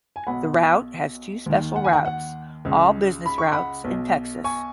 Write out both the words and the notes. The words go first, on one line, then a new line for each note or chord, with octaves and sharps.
The route has two special routes, all business routes in Texas.
G#5
B1 B2 F#5 B5
D#2 D#3
F#5
G#5
F#5
F#5
C#2 C#3
B5
C#6
F#5 B5
B1 B2
G#5 C#6